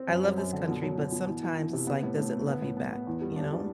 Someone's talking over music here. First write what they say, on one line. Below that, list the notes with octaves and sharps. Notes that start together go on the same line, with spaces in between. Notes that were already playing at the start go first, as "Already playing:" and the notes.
I love this country, but sometimes it's, like, does it love you back? You know?
Already playing: C4
F#2
F#3
F#2
D3
B2
F#3
B2
B2
E3
E3
E3
C3
B3
A2
A2
B3
B3
A2
B3
B3
E2
G3
D4
G3